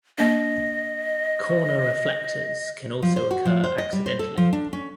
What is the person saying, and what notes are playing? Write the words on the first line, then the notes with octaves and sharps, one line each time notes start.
Corner reflectors can also occur accidentally.
A#3 D4 D#5
F3
C5
F#4
F3
C5
D#5
G3
C5
A4
F3
D4
C#4